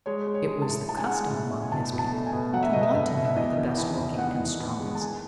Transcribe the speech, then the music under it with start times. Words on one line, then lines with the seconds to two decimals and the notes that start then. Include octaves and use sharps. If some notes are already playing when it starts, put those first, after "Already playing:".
It was the custom among his people to want to marry the best looking and strongest.
0.06 G#3 C#5
0.26 G#3
0.34 C#5
0.48 G#3
0.62 A5
0.68 A2
0.89 G#3 A5
0.97 G#5
1.04 F#5
1.10 G#3 G#5
1.30 A2
1.50 A2
1.62 G#5
1.72 B2 A5
1.92 B2
1.99 A5
2.12 A3
2.26 G#5
2.32 B2
2.53 F#3 F#5
2.63 E5
2.73 B2 D#5
2.83 E5
2.94 B2 E5
3.15 B2
3.25 E5
3.36 E2 D#5
3.57 D#3
3.78 E2
3.98 E2
4.18 E2 F#5
4.40 E2
4.60 E2
4.80 G#3
4.95 A5
5.01 D#3 G#5